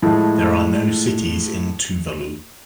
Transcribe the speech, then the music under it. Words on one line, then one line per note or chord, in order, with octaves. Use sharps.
There are no cities in Tuvalu.
A2 F3 G#3 A3